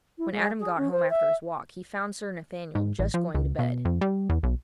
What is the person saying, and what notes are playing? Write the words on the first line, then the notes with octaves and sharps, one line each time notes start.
When Adam got home after his walk, he found Sir Nathaniel just going to bed.
E4
G#3
G#4
C#4
C5
E5
G#2
A1
F3
C#2
B2
F2
G3
E2
B1